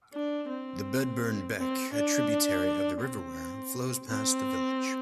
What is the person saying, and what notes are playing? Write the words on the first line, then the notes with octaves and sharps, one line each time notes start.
The Bedburn Beck a tributary of the River Wear, flows past the village.
D4
C4
C4
D4
C4
C4